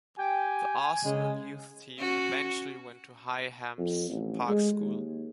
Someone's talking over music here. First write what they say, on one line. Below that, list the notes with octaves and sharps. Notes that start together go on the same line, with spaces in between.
The Arsenal Youth Team eventually went to Highams Park School.
G4 G5 G#5
C#3 G#3
C#4 F#4
F2
A1
G#3
D#2